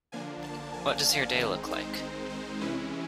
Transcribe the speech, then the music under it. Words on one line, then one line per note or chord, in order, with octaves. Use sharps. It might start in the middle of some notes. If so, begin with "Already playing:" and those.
What does your day look like?
D3 F3 A#3 D4 G#5
A5
G#5
F5
D#3 G#3 C4 D#4 E5
C5
C5
C3 E3 G#3 C#4 E4 B4